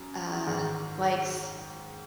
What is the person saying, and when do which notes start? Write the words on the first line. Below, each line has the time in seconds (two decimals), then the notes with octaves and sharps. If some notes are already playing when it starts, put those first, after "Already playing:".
uh, likes
Already playing: F#2
0.47 G#2 D#3 G#3